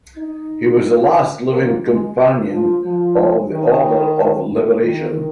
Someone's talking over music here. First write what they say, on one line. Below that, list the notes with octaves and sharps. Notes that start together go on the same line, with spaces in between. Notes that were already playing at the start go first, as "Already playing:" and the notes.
He was the last living Companion of the Order of Liberation.
D#4
A#3
G#3
F3
F3
D#3
D#3